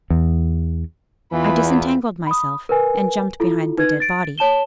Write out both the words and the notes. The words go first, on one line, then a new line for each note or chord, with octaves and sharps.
I disentangled myself, and jumped behind the dead body.
E2
E2 E3 F4 B5
B5 D#6
A#4 B4 G#5
E4 F4 A4
D#4 B4 G#6
A6 D7
C#5 A5 E7 G7